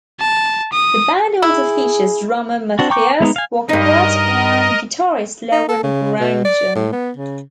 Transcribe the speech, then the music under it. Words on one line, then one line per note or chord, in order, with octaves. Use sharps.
The band also features drummer Mathias Wakrat and guitarist Laurent Grangeon.
A5
D#6
E4 G#4
C4 D4 F#4
G5 A#5 C#6 D6 G6
G#3 B3 C#4 D#4
F5 G#5
G2 D#4 A#4 D#5
D#4
A4
C#3
B2
D5
A2
B3
C#3